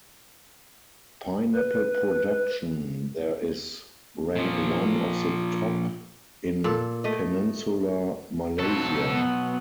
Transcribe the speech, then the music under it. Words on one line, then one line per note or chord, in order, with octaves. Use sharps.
Pineapple production there is ranked one of the top in Peninsular Malaysia.
B4
A#2 F3
A#2 A4
A3 D#5
F2 B2 F#3 A4
B3